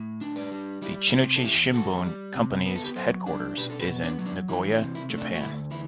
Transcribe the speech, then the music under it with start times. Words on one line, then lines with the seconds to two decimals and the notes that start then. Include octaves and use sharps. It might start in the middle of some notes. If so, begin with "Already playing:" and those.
The Chunichi Shimbun Company's headquarters is in Nagoya, Japan.
Already playing: A2
0.21 D4
0.36 B4 D5
0.52 G3
0.82 G3 E4 G4
1.13 C3 E4 G4
1.36 A4
1.43 E2 E4 G4
1.73 E2 F#4 A4
2.04 G3
2.36 C3
2.66 B3 B4
2.75 A4
2.84 G4 B4
2.96 F#3 A4 C5
3.26 D4
3.57 B2 G4 B4
3.70 A4
3.80 G4 B4
3.88 B3
4.03 D4
4.19 F#3
4.26 D4
4.49 E3 E4
4.72 D4
4.80 C3
4.95 E4
5.10 A3
5.18 D4
5.35 F#4
5.40 D2 E4
5.71 E3 E4